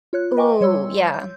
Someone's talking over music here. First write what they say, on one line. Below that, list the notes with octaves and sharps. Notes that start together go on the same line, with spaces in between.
Ooh, yeah.
F4 C#5 F#6
B4 D#5 G5 G#5 C#6 D6
G3 C#5 C6 E6
G6